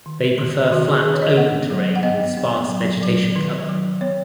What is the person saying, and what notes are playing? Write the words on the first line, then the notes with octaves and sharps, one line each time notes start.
They prefer flat, open terrain, with sparse vegetation cover.
D#3
D#3
D#3 F#4
G#4
D#3 G#4
C#5
D#5
B3 F#5
F#3
F#5
B3 D#5
B3
F#3
F#3
D#3
F#3
B3 C#5